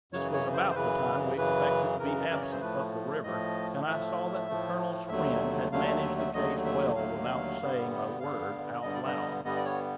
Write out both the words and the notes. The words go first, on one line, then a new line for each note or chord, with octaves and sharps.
This was about the time we expected to be absent up the river, and I saw that the Colonel's friend had managed the case well without saying a word out loud.
F#2 C#3 E3 C#5
C#5
C5
C5
F#2 C#3 E3 B4
F#2 C#3 E3 B4
F#2 C#3 E3 A#4
D5
C#5
C5
A2 F3 A3 B4
A2 F3 A3 D#5
A2 F3 A3 E5
A2 F3 A3
D#2 D3 F#3 A3 E5
D#2 D3 F#3 A3 F5
E5
E5
E5
D#2 D3 F#3 A3 D#5
E5
D#2 D3 F#3 A3 F5
G2 D3 G3 B3
G2 D3 G3 B3 F5
G2 D3 G3 B3 D#5
D5
D#5
G2 D3 G3 B3 D#5
D5
C#5